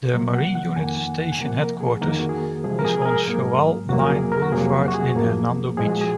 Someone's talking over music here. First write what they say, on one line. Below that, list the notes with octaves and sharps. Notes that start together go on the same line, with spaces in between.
Their Marine Unit Station headquarters is on Shoal Line Boulevard in Hernando Beach.
C3 F#3 A#3
F#5
F#5
F2 D#3 A#3 G#5
F#5
F#5
G#5
C3 F3 A#3 F#5
A#4
G#4
F2 D#3 A#3 A#4
G#4
F#4
G#4
C3 F3 G#3 G#4
A#4
G#4
G#4
A#4
G#2 F#3 A#3
F2 C3 F#3 A#3 F#4
A#4
G#4
A#4
F#4
F2 C3 F#3 A#3 G#4
F#4
F#4
G#4
F#2 F3 A#3
A#2 F3 G#3 G#4
F#4
G#4